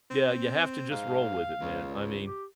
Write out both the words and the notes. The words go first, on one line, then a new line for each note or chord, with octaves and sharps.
yeah, you have to just roll with it, man. I mean,
C4
G#2 F5
C#2
G4